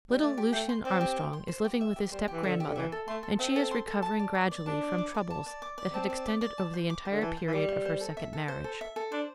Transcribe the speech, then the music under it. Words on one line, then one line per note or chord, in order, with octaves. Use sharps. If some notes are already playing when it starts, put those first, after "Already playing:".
Little Lucien Armstrong is living with his step-grandmother, and she is recovering gradually from troubles that had extended over the entire period of her second marriage.
G3
A3 D5
G4
A3 G5
C6
C4 D5
G4
G5
C6
C5
G4
E5
G4
G3 C5
E3 G4
D3 E5
G4
D3
E3 E5
A4
A3 C6
A4
C4 E5
A4
C6
A4
A5
D5
D6
D5
D4 A5
D5
D6
D5
A5
D5
D6
D5
C4 A5
D5
D6
D5
A5
C5
D6
C5
D3
E3 A5
C5
E3
G3 D6
C5
C5
A4
E5
A4
C5
A4
E5
A4
D4 C5